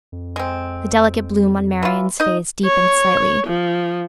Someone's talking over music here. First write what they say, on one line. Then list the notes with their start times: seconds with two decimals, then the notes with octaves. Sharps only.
The delicate bloom on Marian's face deepened slightly.
0.12 F2
0.36 G#3 C4
1.83 E3 F4
2.20 D#4 D#5
2.64 C#5
3.47 F3